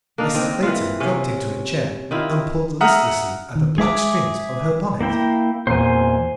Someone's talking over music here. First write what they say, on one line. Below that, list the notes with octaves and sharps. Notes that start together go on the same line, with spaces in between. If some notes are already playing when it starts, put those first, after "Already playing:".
Mrs. Clayton dropped into a chair and pulled listlessly at the black strings of her bonnet.
A#3 D4 D#4 A#4
D#3 C4
E3 F4
C3 C#4 F4
D#3 E4 F4
E5 F#5 A#5 D#6 F6
D#3
G#3 G#4 E5 D6
A#3 E4 G5
E2 A#2 C5 G#5